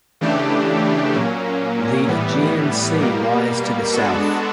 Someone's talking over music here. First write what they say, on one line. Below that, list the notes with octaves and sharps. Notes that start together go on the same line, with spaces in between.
The Aegean Sea lies to the south.
C#3 E3 A3 D4 G4
A#2 F#3 A#3 C#4
A2 E3 G3 B3
B2 G3 A#3
G#3 B3 D4 F#4 A4